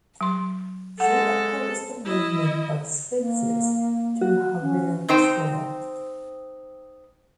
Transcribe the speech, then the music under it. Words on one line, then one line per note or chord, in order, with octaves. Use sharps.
She opposed the movement of sphinxes to Tahrir Square.
F#3 C6
G#3 A4 F#5
E4 D#5
A#3
F#4
C#4
C4 D#4 C5 G5